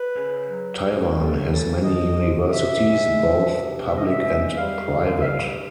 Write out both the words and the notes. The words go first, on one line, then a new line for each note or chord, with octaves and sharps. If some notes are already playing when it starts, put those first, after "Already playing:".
Taiwan has many universities, both public and private.
Already playing: B4
C#3
F#3
C#3
F#3 A4
C#3 A4
F3 D#5
C3
C3 E5
G#3
F3
C3
C3 E5
D#5
E5
G#3
E5
G3 F5
D3
E5
G3 F5